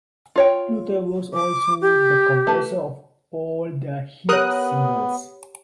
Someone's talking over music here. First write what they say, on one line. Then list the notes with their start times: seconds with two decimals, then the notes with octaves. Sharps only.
Luther was also the composer of all their hit singles.
0.36 F4 C#5 G5
1.34 D6
1.82 G4
2.47 A3 B4
4.29 B3 G4 A#4 C#5 D#6 F#6